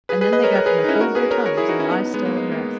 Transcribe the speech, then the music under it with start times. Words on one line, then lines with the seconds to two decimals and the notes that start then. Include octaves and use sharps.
And then they got them to hold their tongues and lie still and rest.
0.09 G#4 B4
0.21 G#4 B4
0.33 B4 D#5
0.44 A#4 C#5
0.55 A#4 C#5
0.66 G#4 B4
0.84 D#4
0.88 C#4 E4
1.00 F#4 A#4
1.15 G#4 B4
1.30 A#4 C#5
1.46 A#4 C#5
1.57 E4 G#4
1.68 D#4 F#4
1.79 C#4 E4
1.91 B3 D#4
2.14 G#3 B3
2.25 A#3
2.37 G#3
2.52 A#3